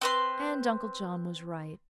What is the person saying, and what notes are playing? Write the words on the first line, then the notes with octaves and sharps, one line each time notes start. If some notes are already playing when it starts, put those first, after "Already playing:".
And Uncle John was right.
C4 B4 C6